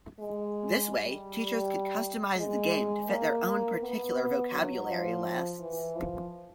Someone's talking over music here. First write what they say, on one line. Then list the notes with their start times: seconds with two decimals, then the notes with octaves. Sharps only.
This way, teachers could customize the game to fit their own particular vocabulary lists.
0.19 G#3
0.91 G3
2.36 G#3
3.08 A#3
3.80 B3
4.52 F#3
4.88 F3
5.60 E3
5.96 F3